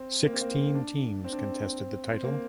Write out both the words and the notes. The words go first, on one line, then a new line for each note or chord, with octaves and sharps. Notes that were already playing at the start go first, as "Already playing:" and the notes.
Sixteen teams contested the title.
Already playing: C4
A#3
C4
A#3
D4
C4
D4
C4
C4
A#3